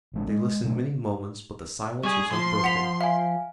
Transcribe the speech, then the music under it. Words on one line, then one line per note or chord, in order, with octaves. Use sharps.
They listened many moments but the silence was unbroken.
A1 G#3 D4
G#3
B2 F#3 A3 D4
G3 G#4 C#6
F3 C6
F#5 B6 F7
E5 F5 G#5